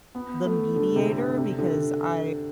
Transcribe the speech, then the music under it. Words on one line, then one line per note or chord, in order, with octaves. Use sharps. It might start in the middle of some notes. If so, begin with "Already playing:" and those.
the mediator, because I
B3
A3
D3
C3
D3
C3
D3